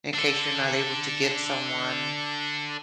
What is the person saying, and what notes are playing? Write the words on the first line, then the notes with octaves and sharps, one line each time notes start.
in case you're not able to get someone
D4 A4